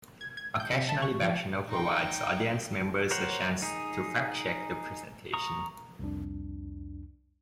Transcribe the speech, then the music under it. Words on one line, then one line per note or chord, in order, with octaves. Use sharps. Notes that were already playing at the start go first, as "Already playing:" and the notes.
Occasionally backchannel provides audience members a chance to fact-check the presentation.
G#6
G#6
G6
C3
A5
C#6
F3
D#4 G5
A#4 C5 C#5 F#5 G5
D#4 G#4
A#5 C#6 D#6
C2 F2 D4